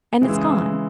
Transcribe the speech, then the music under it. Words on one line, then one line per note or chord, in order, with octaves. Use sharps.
and it's gone."
C#3 E3 G#3
E6
D#6
E6